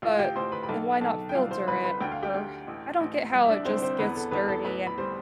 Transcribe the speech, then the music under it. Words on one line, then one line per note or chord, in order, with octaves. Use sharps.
but then why not filter it, or I don't get how it just gets dirty and
A1 F4 F5
G4 G5
A1 C5 C6
B4 B5
B5
B1 A4 A5
B1 A4 A5
G5
C2 F4 F5
C5 C6
C2 B4 B5
B4 B5
D2 G5
F5
G4 G5
D2
A1
A1
C2
E5
D4 D5
C2 C4 C5
C4 C5
E2 B3 B4
A4
E2 B3 B4
A4 A5
A1 B4 B5
B5
G3 C5 C6